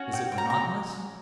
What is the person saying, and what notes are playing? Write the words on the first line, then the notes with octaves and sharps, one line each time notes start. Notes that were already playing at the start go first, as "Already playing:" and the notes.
Is it monotonous?
Already playing: C#4 F#4
G5
G5
A#5
A#5